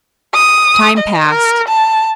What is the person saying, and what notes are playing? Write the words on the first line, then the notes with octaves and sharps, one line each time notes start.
Time passed.
D#6
D#5
A#4
A5